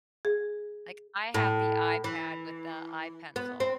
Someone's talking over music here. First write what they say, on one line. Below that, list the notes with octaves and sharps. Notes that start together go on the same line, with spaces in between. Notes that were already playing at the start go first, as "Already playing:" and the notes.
like I have the iPad with the iPencil
G#4
A2
E3
B3
C4